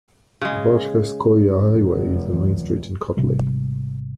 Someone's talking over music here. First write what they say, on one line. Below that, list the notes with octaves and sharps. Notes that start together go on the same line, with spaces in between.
Varshavskoye highway is the main street in Kotly.
C#3 G#3
F1
D1 E3 F#3
G#1 C3 G3